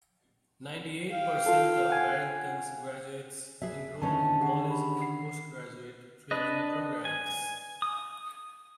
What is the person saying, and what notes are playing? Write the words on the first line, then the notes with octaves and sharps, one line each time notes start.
Ninety-eight percent of Barrington's graduates enroll in college or post-graduate training programs.
F5 G5
F4 A4
F#5 G#5
G#4 B4 E5
D3 D#3 C#4 A5
G4 G#4 F#5
B5
C7
D4 B4 D#5
G#5
D#6